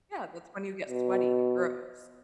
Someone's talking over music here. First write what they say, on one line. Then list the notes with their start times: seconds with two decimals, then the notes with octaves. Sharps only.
Yeah, that's when you get sweaty and gross.
0.89 B2